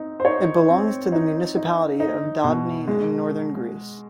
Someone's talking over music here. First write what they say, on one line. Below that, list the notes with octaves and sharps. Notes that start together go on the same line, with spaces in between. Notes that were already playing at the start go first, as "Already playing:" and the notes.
It belongs to the municipality of Dodoni in northern Greece.
Already playing: C4 D#4
C5
D#4 C#5
C4
D#4
D#4
D#4
B2
G#3